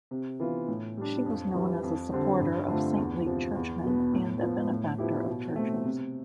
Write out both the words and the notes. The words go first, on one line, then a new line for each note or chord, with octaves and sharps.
She was known as a supporter of saintly churchmen and a benefactor of churches.
C3
E3 B3 F4
A2
G3 D4
F2
E3 G3
F2
D3 G3 C4
G2
D3 A3 C4 F4
E2
C3 F3
E2
B2 B3
A2
F3 B3
A2
F3 B3 E4 G4
B2
A3 C4
C3